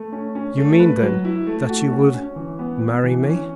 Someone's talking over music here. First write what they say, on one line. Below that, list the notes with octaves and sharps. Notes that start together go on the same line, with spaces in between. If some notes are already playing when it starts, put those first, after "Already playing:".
"You mean then that you would--marry me?"
Already playing: A3
C#4
C#4
A3
B4
F#3
E4
A3
F#4
C#4
C#4
E3
B3
B3
E3
C#4